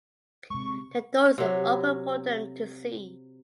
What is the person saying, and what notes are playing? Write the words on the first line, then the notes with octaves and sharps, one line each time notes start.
The door is open for them to see.
C3 G#3 C#6
C3 F#3